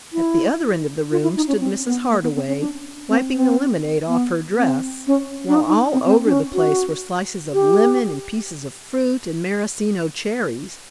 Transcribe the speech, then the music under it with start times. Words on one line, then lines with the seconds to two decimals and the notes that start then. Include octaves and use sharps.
At the other end of the room stood Mrs. Hardway, wiping the lemonade off her dress, while all over the place were slices of lemon and pieces of fruit and Maraschino cherries.
0.13 E4
1.11 F4
1.23 E4
1.36 D#4
1.48 C#4
1.60 C4
1.85 B3
2.10 A#3
2.22 B3
2.35 C4
2.48 C#4
2.60 D4
3.09 C4
3.33 C4
4.07 B3
4.57 C4
5.07 C#4
5.48 D4
5.55 D#4
5.67 D#4
5.93 C4
6.05 C4
6.25 D4
6.30 C#4
6.54 F#4
7.53 G4